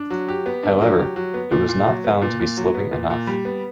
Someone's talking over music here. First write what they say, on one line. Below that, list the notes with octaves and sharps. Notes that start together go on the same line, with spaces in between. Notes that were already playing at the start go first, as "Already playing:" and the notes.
However, it was not found to be sloping enough.
Already playing: D4
F#3
G4
B3
D4
F#3
G4
F#3
B3
A#2
A#2
F#3
B3
A#2
A#2
F#3
B3
A#2
A#2
G3
B3